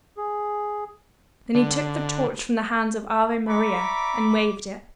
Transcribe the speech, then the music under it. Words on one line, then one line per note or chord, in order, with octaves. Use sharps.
Then he took the torch from the hands of Ave Maria, and waved it.
G#4
D3
D5 E5 A#5 B5 C#6 D6